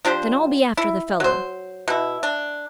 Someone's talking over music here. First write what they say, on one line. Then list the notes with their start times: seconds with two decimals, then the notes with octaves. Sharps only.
"Then I'll be after the fellow."
0.05 F3 D4 G4 C5
0.77 E4
1.20 F#3 C5
1.88 B2 E4
2.23 D4